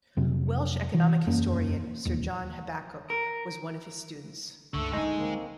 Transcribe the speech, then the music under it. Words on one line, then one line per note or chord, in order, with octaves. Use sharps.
Welsh economic historian Sir John Habakkuk was one of his students.
F2 C3 F#3
E3
E1 F#2 A#3 C#4
E1 D#2
A#4
C#2 G2 D3 A3 C#6 E6
F#3 G#3 D4 D#4 G#5
D3 D#3 A#3 C4